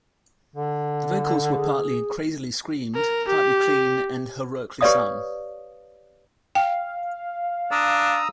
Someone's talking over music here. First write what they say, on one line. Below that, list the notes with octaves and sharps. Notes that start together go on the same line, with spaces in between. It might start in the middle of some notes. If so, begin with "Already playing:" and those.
The vocals were partly "crazily screamed", partly clean and "heroically sung".
D3
G#4
A#4
G4
G4 B4 C#5 D5 F5 D#6
F5 G5
D4 A#5 D#6 E6